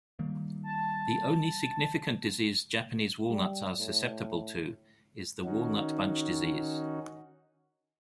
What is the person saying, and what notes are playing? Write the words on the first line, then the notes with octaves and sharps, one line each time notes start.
The only significant disease Japanese walnuts are susceptible to is the Walnut Bunch Disease.
D#3 G3 A#3
A5
G3
A2
D#3 C#4 D#4 F#4